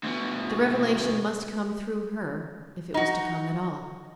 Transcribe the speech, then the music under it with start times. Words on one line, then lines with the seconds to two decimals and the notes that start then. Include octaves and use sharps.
The revelation must come through her, if it was to come at all.
0.03 D2 B2
2.94 D#4 F#4